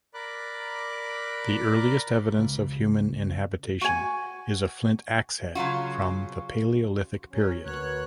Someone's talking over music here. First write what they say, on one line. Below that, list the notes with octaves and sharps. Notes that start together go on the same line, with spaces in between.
The earliest evidence of human inhabitation is a flint axehead from the Palaeolithic period.
A#4 D5 B5 D6 F#6
C#2
F#4 G#5
C#3 F#3 F4 F#4
F#3 C#4
D2 F#4 A#4 B4 C#5 F#6